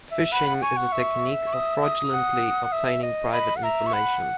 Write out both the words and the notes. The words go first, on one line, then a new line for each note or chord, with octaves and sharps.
Phishing is a technique of fraudulently obtaining private information.
E5
F#5 B5
F#5
G#5 C#6
F#5
E5
C#6
D#6
D#6
F#5
F#5
E5
D#5
D#5 B5
F#5
E5 A#5
C#6
F#5 B5